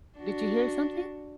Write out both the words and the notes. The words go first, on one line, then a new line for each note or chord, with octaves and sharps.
Did you hear something?
D4 F#4